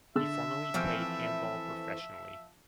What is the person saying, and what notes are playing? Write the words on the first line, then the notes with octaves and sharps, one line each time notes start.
He formerly played handball professionally.
D3 E5 E6 A6
E3 F3 A3 C4 F6